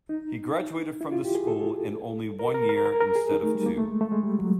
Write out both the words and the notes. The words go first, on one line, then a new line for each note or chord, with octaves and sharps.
He graduated from this school in only one year instead of two.
D#4
E4
F4
G4
G#4
A4
A#4
A#4
A#4
A#4
A#4
G#4
D#4
A3
G3
A#3
A3
G#3
A3
G#3
G3
F#3